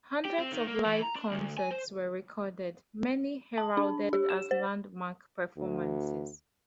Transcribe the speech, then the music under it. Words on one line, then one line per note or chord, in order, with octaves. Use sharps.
Hundreds of live concerts were recorded, many heralded as landmark performances.
G4
C4
D#3
A#3
E3
A#5
D4
D2
G#5
C5
A5
D4
G4
E7
C5
D2